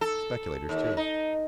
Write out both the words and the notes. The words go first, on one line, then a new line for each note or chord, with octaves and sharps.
Speculators, too.
A4
D#2
D#4